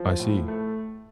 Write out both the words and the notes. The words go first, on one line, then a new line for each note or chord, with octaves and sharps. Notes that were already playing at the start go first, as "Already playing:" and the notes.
I see.
Already playing: F3
A2
A3